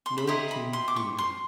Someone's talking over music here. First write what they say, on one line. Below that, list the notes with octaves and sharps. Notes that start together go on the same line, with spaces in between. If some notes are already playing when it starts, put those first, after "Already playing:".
No team fielded.
C6
B5
E4 G4 C5 D#5 A#5
B5
C6
D6
C#6
C6